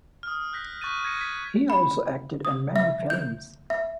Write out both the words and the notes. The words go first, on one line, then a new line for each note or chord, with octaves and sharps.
He also acted in many films.
D#6 F6
F#6 G6 A#6 B6
C#6 F#6 G6 A6 B6 D#7
G#6 A#6 C#7 D#7
B6
B5
D#6
E5
G6
E5